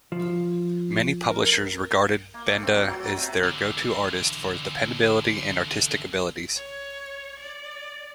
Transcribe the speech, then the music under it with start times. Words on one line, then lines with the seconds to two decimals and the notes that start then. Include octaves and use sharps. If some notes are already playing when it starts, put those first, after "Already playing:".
Many publishers regarded Benda as their go-to artist for his dependability and artistic abilities.
0.12 F3
1.31 A#4
2.34 A#3
2.46 A3
2.63 C4
2.75 F#3
2.88 F#3
3.17 C3
3.44 D3 E3
6.56 C#5
7.39 D5